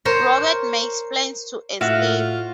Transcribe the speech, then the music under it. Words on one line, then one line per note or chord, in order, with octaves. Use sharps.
Robert makes plans to escape.
A#4 C5 C#5
A2 F4 F#4 E5 F5 F#6